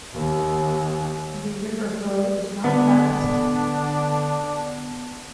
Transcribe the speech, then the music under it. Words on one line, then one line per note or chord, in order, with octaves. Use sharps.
The river flow is not fast.
D#2
D3 B3 D4